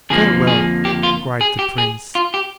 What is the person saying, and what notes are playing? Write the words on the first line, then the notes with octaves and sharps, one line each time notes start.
"Farewell!" cried the Prince.
F2 D3 F3 A#3 G#4
G#4
G4
F4
G#4
G4
G#4
F4
G4